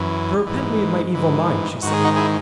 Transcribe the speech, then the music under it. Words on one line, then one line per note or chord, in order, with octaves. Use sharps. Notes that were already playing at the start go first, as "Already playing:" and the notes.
'To repent me of my evil mind,' she said.
Already playing: F#2 E3
G#2 E3
G#2 E3
G#2 D#3 F#4
G#4
D#4 F#4
E4 G#4